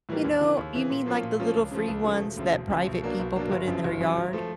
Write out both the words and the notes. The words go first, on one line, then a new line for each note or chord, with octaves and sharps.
You know, you mean, like, the little free ones that private people put in their yard?
A2 E3 G3 A#3
D#2
C#3 E3
D#2
C#3 E3
A#2
F3 A#3 C#4 F4
A#2
F3 A#3 C#4 F4
C#2
C#3 F3 A3
C#2
C#3 F3 A3
E1
D2 C#3 F3
E1
D2 C#3 F3
B1
B2 F#3 A#3 D4
B1
B2 F#3 A#3 D4
G1
F#2 C#3 F3
G1
F#2 C#3 F3
G#1
F3 A3